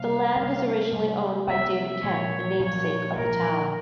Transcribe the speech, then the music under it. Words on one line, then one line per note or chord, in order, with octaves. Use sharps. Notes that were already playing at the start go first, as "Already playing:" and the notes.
The land was originally owned by David Kemp, the namesake of the town.
Already playing: C3 G3 A#3 F5
C3 G3 A#3
C3 G3 A#3
C3 G3 A#3 E5
A#2 F3 A#3 C#5
A#2 F3 A#3 C#5
A#2 F3 A#3 A#4